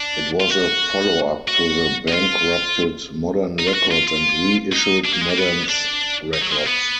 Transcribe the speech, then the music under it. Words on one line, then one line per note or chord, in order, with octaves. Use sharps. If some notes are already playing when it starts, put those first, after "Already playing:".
It was a follow-up to the bankrupted Modern Records and reissued Modern's records.
Already playing: D4
F4
F#4
F#4
D#4
F4
D#4
F4
F#4
F4
F4
D#4
D4
A#3
G#3
A#3
B3
D4
D#4
F#3
G#3
A#3
B3